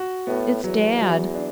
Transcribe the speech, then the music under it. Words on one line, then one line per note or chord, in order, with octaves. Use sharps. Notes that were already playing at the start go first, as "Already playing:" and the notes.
It's dad.
Already playing: F#4
A2 B3
E2 F#3
F#3
D4